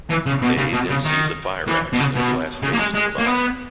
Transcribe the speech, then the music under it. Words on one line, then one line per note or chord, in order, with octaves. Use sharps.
A then sees a fire axe in a glass case nearby.
E3
C#3
B2
C#3
B2
C#3
D#3
E3
B2
C#3
B2
C#3
A#3
G#3
G#3
A#3
B3